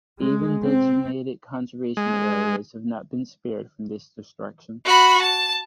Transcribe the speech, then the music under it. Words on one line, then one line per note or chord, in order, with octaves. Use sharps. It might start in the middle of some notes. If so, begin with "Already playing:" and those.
Even designated conservation areas have not been spared from this destruction.
G#3
C4
G#3
F#4 B5
A5